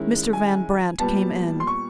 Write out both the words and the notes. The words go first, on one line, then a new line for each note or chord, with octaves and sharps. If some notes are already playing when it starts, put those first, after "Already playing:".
Mr. Van Brandt came in.
Already playing: D#3 G#3 C#4 E4
G#5
A#2 G3 B3 A5
C6
C#6